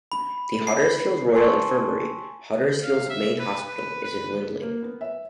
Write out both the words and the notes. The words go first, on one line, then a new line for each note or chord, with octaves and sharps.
The Huddersfield Royal Infirmary, Huddersfield's main hospital, is in Lindley.
B5
C7
G#5 A5 C6 C#6 E6
F5
E5
B4
B4
B4
A#3
B3
E5